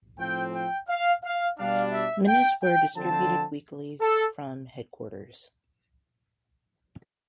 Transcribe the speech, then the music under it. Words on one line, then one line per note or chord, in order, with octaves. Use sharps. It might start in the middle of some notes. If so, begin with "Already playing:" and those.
Menus were distributed weekly from headquarters.
A2 F3 C4 G5
G5
F5
F5
B2 G3 D4 F5
E5
G5
G5
D3 F3 C4 A5
A4